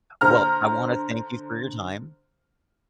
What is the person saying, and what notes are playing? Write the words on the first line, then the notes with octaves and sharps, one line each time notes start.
Well, I wanna thank you for your time.
D3 C5 A#5 F6